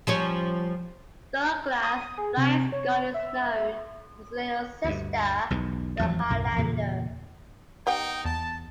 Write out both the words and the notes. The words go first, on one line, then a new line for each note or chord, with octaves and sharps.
Douglass' "Flying Scot" is known as the little sister to the "Highlander".
F3 G3 C#4
D#6
G#4
C3
C#5
E5
D2 G2
B1 E2 B2
A1 E2 F3 F#3
B1 F#2 A2
E2 G2 A#2 C#3
B3 D#4 G4 F#5 G5
E2 A5